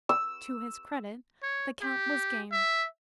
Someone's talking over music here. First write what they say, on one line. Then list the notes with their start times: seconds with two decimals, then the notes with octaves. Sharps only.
To his credit, the count was game.
0.09 E6
1.43 C#5
1.81 G4
2.52 E5